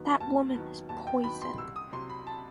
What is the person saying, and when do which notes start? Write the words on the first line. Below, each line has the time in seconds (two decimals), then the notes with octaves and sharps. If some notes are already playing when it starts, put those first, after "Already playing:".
That Woman Is Poison!
Already playing: D#2 D#3 F#3 B3
0.20 D#2 A5
0.55 D#3 F#3 B3
0.89 D#2 A5
1.07 G5
1.24 D#3 F#3 B3 B5
1.42 C6
1.58 C2 E6
1.76 D#6
1.92 C3 F#3 C6
2.09 B5
2.27 A5